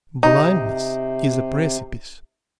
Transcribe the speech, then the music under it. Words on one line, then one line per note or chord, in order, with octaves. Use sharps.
Blindness is a precipice.
C3 D#4